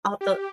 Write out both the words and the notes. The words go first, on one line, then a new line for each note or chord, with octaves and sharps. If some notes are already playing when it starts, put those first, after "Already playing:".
Off the
G4